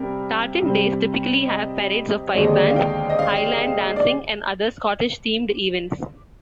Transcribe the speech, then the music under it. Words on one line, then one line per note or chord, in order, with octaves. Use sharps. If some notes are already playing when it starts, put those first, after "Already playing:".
Tartan Days typically have parades of pipe bands, Highland dancing and other Scottish-themed events.
Already playing: C3 G3 A#4
C3 G3 C4
D#5
D#2 D3 G#3 C4 D5
D#5
D5
F5
G5
D#5
F5
D5